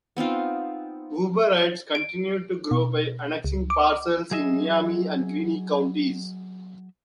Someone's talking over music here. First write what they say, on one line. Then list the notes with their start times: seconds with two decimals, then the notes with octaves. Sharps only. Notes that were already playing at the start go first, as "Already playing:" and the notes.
Huber Heights continued to grow by annexing parcels in Miami and Greene counties.
0.17 B3 C4 D#4 F4
1.95 D7
2.71 B2
3.44 C#2
3.70 D6
4.31 F#3 G#4 D#5 E5